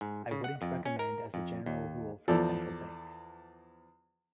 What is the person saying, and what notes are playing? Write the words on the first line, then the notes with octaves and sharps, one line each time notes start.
I wouldn't recommend as a general rule for central banks.
G#2
C#3
F#5
F2
C#4
A#4
F2
D#2
E2 F3 A4 D5